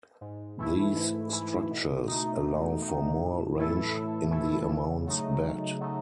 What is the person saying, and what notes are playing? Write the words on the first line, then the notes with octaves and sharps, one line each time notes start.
These structures allow for more range in the amounts bet.
G#2
E3 A3 E4
G#2
E3 A3 E4
B2
A3 D#4
B2
A3 D#4
A2
E3 A3 E4 A4
A2
E3 A3 E4 A4
C#3
F#3 A3 D#4
C#3
F#3 A3 D#4